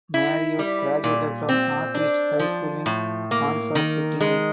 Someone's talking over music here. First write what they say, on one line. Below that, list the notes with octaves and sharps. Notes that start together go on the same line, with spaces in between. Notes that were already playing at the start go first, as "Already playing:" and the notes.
Marriott graduated from Northeast High School in Kansas City.
E4
G3
A#2
C4
D4
F3
A2
A#3
D#3
G#3